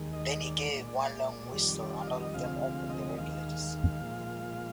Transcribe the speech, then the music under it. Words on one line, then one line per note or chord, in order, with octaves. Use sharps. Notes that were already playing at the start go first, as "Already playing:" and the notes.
Then he gave one long whistle and all of them opened their regulators.
Already playing: D#2 D#3 G#3
D#5
D5
A#2 G#3
F2 D#3 G3 D5
D5
F5
D#5
D2 C3 F3 G#3 F5
F5
D#5
D#2 D#3 G#3 F5
A#2 F3 G#3